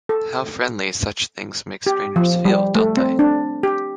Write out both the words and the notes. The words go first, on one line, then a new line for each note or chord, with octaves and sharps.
How friendly such things make strangers feel, don't they?
A4
G4
F3
G3
A3
C4
D4
G4